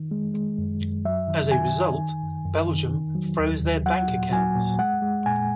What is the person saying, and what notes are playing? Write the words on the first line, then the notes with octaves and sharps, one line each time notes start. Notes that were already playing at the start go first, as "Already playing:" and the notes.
As a result, Belgium froze their bank accounts.
Already playing: D#3
G#3
G#3
F#2
F#2
F#3 E5
D#3
D#3 G#5
D#3
D#3
F#2
F#2
D#3
D#3
F#3
D#2
D#2
F#3 F#5
A#2
F#3 G#5
A#2
G#3 F#5
G#3
A#2 G#5